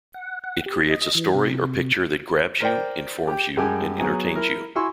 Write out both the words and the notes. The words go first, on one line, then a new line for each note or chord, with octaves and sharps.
It creates a story or picture that grabs you, informs you and entertains you.
F#5
F#5
G4
D#5
E3
C3
A#4 C5 D5 G5
G4 G5
F#2 G3 G#3 G4 G#5 A5
F#3 B3 F#4 G#4 G#5 A#5
E4 A#4
E4 F#4 G#5 C6 C#6 E6